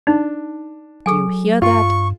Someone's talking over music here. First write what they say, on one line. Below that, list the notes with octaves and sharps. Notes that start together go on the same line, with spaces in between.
Do you hear that?
D4 D#4
F#3 G#4 A4 G#5
G2 F4 C#6